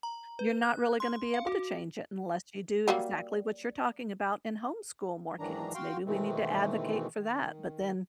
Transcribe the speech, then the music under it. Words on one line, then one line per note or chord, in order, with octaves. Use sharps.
you're not really gonna be able to change it unless you do exactly what you're talking about and homeschool more kids. Maybe we need to advocate for that but then
A#5
B4
F#6
C6
F5
F#4
F#3 G3 A#3
G#2 D#3 E3 F#3 D4 A#5
F#4 F5 G5 C6
B2 D#3 E3 G#3 A3 C4
D#3